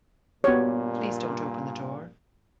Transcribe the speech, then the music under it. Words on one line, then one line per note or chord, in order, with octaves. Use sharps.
Please don't open the door.
G2 A#2 B3 F#4 G4 C#5